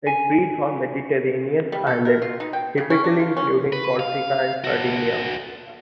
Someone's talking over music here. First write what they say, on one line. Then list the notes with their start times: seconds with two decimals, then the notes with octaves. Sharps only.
It breeds on Mediterranean islands, typically including Corsica and Sardinia.
0.07 G#5
1.72 G3
1.87 A4
2.05 A#4
2.22 F4
2.40 D#4
2.53 G5
2.78 C#3
2.90 C#4
3.04 D4
3.20 F4
3.37 C#4
3.73 B4
4.00 F5
4.64 F#4 A4